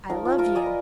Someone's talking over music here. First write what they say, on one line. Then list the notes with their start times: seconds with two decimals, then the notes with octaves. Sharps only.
I love you.
0.10 F3 D#4 A#4
0.25 F4
0.38 F4 A#4 D#5 E5
0.55 D5 D#5 G#5 A#5
0.66 B4